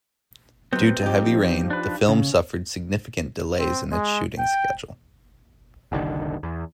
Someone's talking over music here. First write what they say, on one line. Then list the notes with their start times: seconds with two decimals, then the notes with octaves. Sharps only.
Due to heavy rain, the film suffered significant delays in its shooting schedule.
0.73 C3 F#3 B3 C4
1.03 F3 D#4 G4
1.70 D4 B4
2.09 C#3 C#4
3.59 C4
3.92 G#3
4.38 G5
5.92 F#1 C2 D3 D#3
6.43 E2